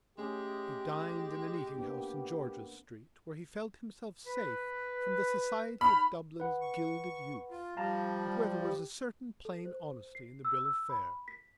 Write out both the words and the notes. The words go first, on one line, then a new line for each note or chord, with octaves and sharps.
He dined in an eating-house in George's Street where he felt himself safe from the society of Dublin's gilded youth and where there was a certain plain honesty in the bill of fare.
G#3 A3 C#4 G4 G#4
A#3 B3 D4
B4
D#4 B5 F6
B4 F#5
C#6
F4
F3 G3 F5 A5 A#5
G4
A4
C5
C7
E6
E6
B5
B6